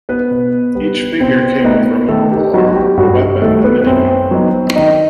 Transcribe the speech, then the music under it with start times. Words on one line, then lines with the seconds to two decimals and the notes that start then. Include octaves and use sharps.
Each figure came with removable armor, a weapon and mini-comic.
0.09 B3 B4
0.31 B2
0.75 G3 B3
1.20 B2 C4 C5
1.64 A3 B3 D#4 B4
2.09 D#3 A3 A4
2.31 G4
2.53 F#3 B3 D#4 F#4
2.67 F#4
2.76 G4
2.97 G2 F#4
3.20 G4
3.42 D#3 G3 A3 A4
3.64 B3 B4
3.82 B4
3.86 F#2 C4 C5
4.31 F#3 B3 D#4
4.75 D#3 D#4 D#5